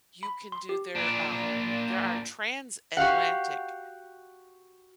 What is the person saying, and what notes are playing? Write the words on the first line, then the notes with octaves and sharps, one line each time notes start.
you can do their, um there are transatlantic
B5
C6
G4
A#2 D4
F#4 G4 F5 F#5